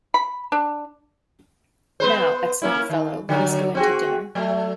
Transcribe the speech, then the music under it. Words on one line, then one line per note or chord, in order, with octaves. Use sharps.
Now, excellent fellow, let us go in to dinner!
B5
D4
B3 B4 C5
A#3 C#4 E4
D#3
D3 F#3
C4 F#4 G#4
F#3 A3